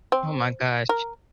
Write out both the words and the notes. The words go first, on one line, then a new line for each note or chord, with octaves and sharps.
Oh my gosh.
C4
A#4